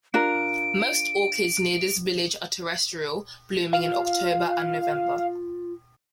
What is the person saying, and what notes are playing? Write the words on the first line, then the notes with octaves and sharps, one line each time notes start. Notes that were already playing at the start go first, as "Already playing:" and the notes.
Most orchids near this village are terrestrial, blooming in October and November.
D4 F4 A#4 D7
F4 F5